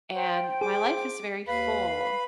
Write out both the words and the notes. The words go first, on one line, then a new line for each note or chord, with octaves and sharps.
and my life is very full
C5 G5
G#4 D6
D#2 B4 F5 B5